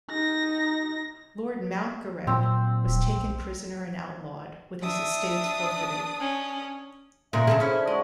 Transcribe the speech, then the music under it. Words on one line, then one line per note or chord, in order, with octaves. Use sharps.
Lord Mountgarret was taken prisoner and outlawed, with his estates forfeited.
D#4 A#6
A#2 F#3 C4
D1
B1
D4 E5 D#6
C#4
A#2 C#3 G#3 A#4 E5
C#3 F3 G#4 A4
C#4 E4 C5
D4 D#4
G#3 F#4 F5